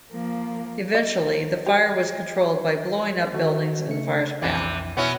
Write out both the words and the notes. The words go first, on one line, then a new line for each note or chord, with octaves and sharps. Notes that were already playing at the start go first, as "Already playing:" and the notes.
Eventually the fire was controlled by blowing up buildings in the fire's path.
F3 A#3
D#5
G4
D#3 F#4 A4
C#3 A3 C#7
B1 F2 C3 E3
B2 B3 C#4 E4 A#6 C#7